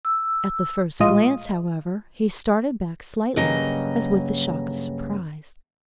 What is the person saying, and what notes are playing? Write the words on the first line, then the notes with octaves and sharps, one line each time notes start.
At the first glance, however, he started back slightly, as with a shock of surprise.
E6
A#1 A2 G#3 F4 D#5 D#7
G2 C#3 F#3 A#3 D#5